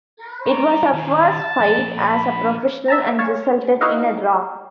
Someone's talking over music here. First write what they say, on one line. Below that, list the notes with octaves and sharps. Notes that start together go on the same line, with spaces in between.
It was her first fight as a professional and resulted in a draw.
G3 A#5 B5
D#3 C#4
A5
F3 A#3
B5
E5 A5 A#5
C#5 F5 A5
D#4 E4 F#4 D#5 F5